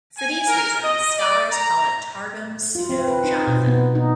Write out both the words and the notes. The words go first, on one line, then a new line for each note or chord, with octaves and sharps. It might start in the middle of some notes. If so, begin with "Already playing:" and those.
For these reasons, scholars call it "Targum Pseudo-Jonathan".
G#5
A#4
D#5
D5
A#5
F4
C4
B4
D#4
B2
B3
D#4